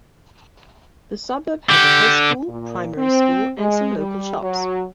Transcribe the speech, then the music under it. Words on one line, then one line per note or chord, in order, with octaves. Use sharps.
The suburb has a high school, primary school and some local shops.
D3 G4
A#2
C4
G#3
G3
F#3